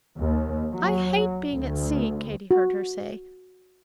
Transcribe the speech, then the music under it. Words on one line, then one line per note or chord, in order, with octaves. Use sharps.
"I hate being at sea," Katy heard her say.
D#2
F#3
D2
F#4